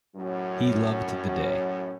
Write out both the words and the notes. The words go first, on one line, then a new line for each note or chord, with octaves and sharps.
He loved the day.
F#2 A2 F#3 C#4